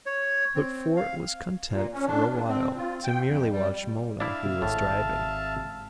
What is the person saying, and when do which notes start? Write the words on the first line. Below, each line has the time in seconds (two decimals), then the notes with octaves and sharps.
But Fort was content for a while to merely watch Mona, who was driving.
0.06 C#5
0.55 C4
0.97 F5
1.72 A#2
1.93 C#4
2.07 D4
2.28 E2
2.48 C4
2.76 F4
3.04 G5
3.25 F2
3.51 G3
4.20 D4 E4 E5 F5
4.62 G#1 A2 A5